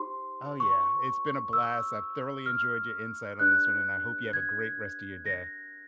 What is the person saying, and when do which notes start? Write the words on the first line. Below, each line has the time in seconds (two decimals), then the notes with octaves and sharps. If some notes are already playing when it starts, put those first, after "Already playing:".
Oh, yeah. It's been a blast. I've thoroughly enjoyed your insight on this one, and I hope you have a great rest of your day.
Already playing: D#4 G4 C5 C6
0.60 C#6
1.53 E6
2.46 F6
3.39 D4 G4 B4 D5 F#6
4.33 G#6
5.26 A#6